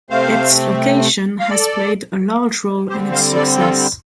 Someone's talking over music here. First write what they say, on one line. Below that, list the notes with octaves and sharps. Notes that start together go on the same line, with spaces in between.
Its location has played a large role in its success.
C3 A3 C4 C5 F5
F5
A4 D5
D3 G3 C4 G4 C5
C5 F5
A4 D5
F4 A4